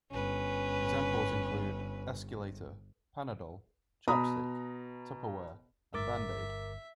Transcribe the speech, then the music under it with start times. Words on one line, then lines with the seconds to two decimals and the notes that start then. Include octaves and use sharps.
Examples include "escalator", "panadol", "chapstick", "tupperware", and "bandaid".
0.11 G1 C#4 B4
4.08 B2 A#5 B5 D#6
5.94 G1 G2 A#4 E5 D6 A6